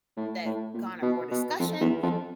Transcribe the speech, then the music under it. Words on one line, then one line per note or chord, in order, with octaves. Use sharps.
that garner more discussion
A2
A2
A#2
B2
B2
F2
E2
F2